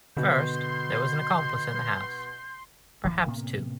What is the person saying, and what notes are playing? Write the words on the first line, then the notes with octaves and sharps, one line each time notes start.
First, there was an accomplice in the house — perhaps two.
B2 D3 C6 G6
D1 A#1 F#2 E3
A2 C3 A#3 B3